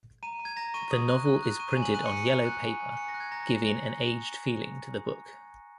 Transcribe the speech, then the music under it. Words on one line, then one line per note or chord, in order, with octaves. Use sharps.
The novel is printed on yellow paper, giving an aged feeling to the book.
A#5 D#7
A#5
G#6
A#5 A#6
C#6 D#7
D#6
F#6
F#6
F#6
C#6 D#7
D#7
G#5
F#7
F#6 D#7
C#7
G#5
C#7
A#5
F#6
G#5
G#5
G#5 C#7
A#6
F#6
G#6
A#5 A#6
A#6
F#6
A#6
A#5 A#6